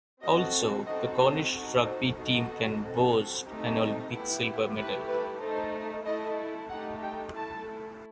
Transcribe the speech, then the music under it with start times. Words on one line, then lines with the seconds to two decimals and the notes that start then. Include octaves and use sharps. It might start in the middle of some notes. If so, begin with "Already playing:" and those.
Also, the Cornish rugby team can boast an Olympic silver medal.
0.22 C4 F#4 A4 D#5
0.87 C4 D#4 F#4 A4 D#5
1.19 C5
1.51 D#4 F#4 A4
1.84 C5
2.16 B3 D#4 F#4 A4 D#5
2.81 C4 F#4 A4
3.46 A3 C4 D#4 G4
4.11 B3 E4 G4
4.75 A3 E4 G4 B4
5.08 B4
5.40 A3 D#4 A4 C5
6.05 A3 E4 A4 D#5
6.69 A3 D#4 G4 F#5
7.02 G5
7.35 A3 E4 A4 A5